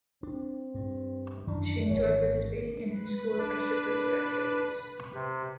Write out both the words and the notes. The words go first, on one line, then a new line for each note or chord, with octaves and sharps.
She enjoyed participating in her school's extracurricular activities.
C4 D4
G2
F#2 D#3 E3 D4
G#1 E3 C#5
B4
D4
C3